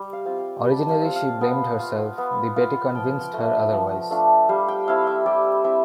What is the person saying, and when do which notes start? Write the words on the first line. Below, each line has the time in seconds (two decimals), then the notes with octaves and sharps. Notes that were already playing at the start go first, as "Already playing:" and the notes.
Originally, she blamed herself, but Betty convinced her otherwise.
Already playing: G3
0.13 F5
0.25 C4 F4
0.38 G5
0.64 G3 G5
0.71 A5
0.77 G5
0.90 F5
1.02 C4 F4
1.16 F5
1.41 B3
1.79 F4
2.18 B3
2.56 F4
2.95 F3 G5
3.21 G5
3.33 A3 D4 F4
3.46 E5
3.72 F3
4.10 A3 D4 F4
4.49 G3 F5
4.68 G5
4.88 C4 E4 F5
5.07 E5
5.26 G3 D5
5.65 C4 E4 E5